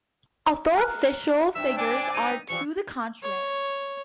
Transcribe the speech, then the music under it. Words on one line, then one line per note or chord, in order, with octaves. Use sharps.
Although official figures are to the contrary.
A#5 F6 F#6
G2 C3 E5
D4 D5 G#5 D6
D#4 D#7
E3 F3 G3 C#6
C#5